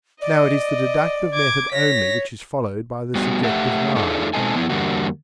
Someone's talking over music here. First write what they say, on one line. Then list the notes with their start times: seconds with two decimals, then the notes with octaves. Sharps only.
Now it is the deductive method only which is followed by the subjective mind.
0.21 D5 D#5
1.34 D6 G#6
1.72 C#5 A#6 B6
3.15 G3 B3 F#4
3.43 A3 G4 E5 F#5
3.96 A3 D4 D#4 F4 G#4 A4
4.34 B2 G#3 C4 D#4 A4 G#5
4.56 F3 B3 E4
4.70 E2 D3 G3 A#3 F#4